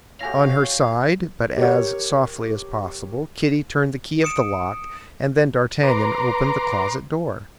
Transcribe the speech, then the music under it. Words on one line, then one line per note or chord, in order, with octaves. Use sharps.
On her side, but as softly as possible, Kitty turned the key of the lock, and then d'Artagnan opened the closet door.
E4 F#4 G4 A4 C#5 F5 G#5 A#6
G4 A#4 C#5
D#6 C#7 D7 E7
B4 A#5 C6 D6